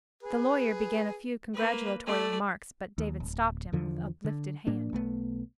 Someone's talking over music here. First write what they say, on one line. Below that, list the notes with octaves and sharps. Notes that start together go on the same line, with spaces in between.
The lawyer began a few congratulatory remarks, but David stopped him, with uplifted hand.
G#4 B4
A#3 B4
A3 D5
D#2
D1
E2 D3 F3
D3
A2 A#3 D4
B1 A3 B3